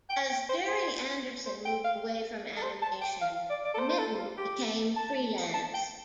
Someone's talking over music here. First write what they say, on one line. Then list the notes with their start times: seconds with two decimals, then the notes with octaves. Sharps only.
As Gerry Anderson moved away from animation, Mitton became freelance.
0.10 G5
0.30 G5
0.49 C5
0.68 C5
1.46 C5
1.65 G5
1.85 F5
2.57 A4
2.62 C5
2.82 A5
3.02 G5
3.22 F5
3.35 F5
3.50 D5
3.65 D5
3.74 A4
3.79 C5
3.90 C5
3.99 A4
4.18 F4
4.38 G4
4.97 A5
5.54 A5
5.74 G5